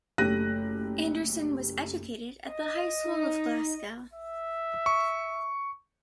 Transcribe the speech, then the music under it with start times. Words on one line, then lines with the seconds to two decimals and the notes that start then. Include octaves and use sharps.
Anderson was educated at the High School of Glasgow.
0.18 F#1 A3 G4 F#6 A#6 D#7
2.50 D#5
3.06 D#4
4.14 E5
4.86 C#6